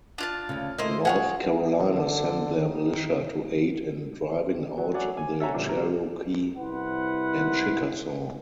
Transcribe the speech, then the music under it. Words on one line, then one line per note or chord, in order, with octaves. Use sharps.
North Carolina sent their militia to aid in driving out the Cherokee and Chickasaw.
D4 F4 A5
D2 C#3
A3 A#3 E4 C5 D#5
F4 G#4 A#4 C#5 F#5
D3
D#3
F#3
F#3 A3 C#5 D5 F#5 G#5
G#5
A4 C#5 E5 F#5 G#5 A#5
A#2 D3 F3 G3 C4 D4
C3 G3 F#4 A#4
C2 E4 B4 C5 F#5